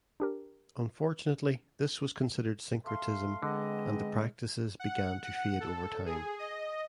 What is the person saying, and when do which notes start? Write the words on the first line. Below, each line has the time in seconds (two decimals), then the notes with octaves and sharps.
Unfortunately this was considered syncretism and the practices began to fade over time.
0.20 D4 G4 A#4
2.84 A3 F5 C6
3.43 D3 G#3 B3 C4 D#5
4.80 F#5
5.24 F#5
5.60 A4
6.06 G#4
6.39 D#5